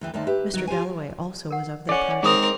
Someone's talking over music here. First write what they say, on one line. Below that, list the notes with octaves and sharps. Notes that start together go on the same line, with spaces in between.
Mr. Galloway also was of their party.
D2 E3 G5
D2 D#3 A3 C5 D5 A5
G4 B4 E5
D#3 F#3 F#4
F4 G4 C5 G#5
A#4 F#5
C#4 A4 D5 F#5
G#3 C4 D#4 G#4 A#4 D#6